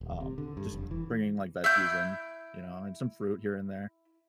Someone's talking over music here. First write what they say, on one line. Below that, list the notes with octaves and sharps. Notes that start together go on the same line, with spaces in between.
um, just bringing, like, veggies in, you know? And some fruit here and there.
D#1
C3
D3
G2
F1
E3
E4 G6